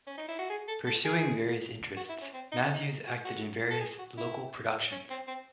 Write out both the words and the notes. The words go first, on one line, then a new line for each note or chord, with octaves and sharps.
Pursuing various interests, Matthews acted in various local productions.
C#4
D#4
E4
F#4
G#4
A4
A4
G#4
F#4
E4
C#4
C4
D#4
C#4
D#4
F#4
F#4
A4
G#4
F#4
E4
C#4
C4
C4